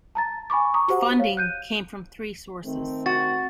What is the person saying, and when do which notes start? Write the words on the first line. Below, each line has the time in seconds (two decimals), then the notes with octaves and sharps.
Funding came from three sources.
0.15 A5 A#5 A6
0.50 G#5 B5 C#6 D6
0.74 A#5 C#6 D#6
0.88 F#4 G4 C5 F#5
1.19 C#5 F5
1.37 F#6 G6 D#7
2.65 D#3 A3 C4
3.06 F#4 A6